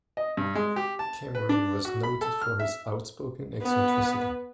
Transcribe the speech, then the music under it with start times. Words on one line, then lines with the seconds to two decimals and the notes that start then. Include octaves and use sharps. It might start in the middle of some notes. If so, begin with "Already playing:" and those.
Cameron was noted for his outspoken eccentricity.
0.17 D#5
0.37 G2
0.55 G#3
0.76 G4
0.99 A5
1.35 B4
1.49 D4
1.85 F#4
2.03 B5
2.21 A4
2.42 F6
2.60 E5
3.62 B3 B4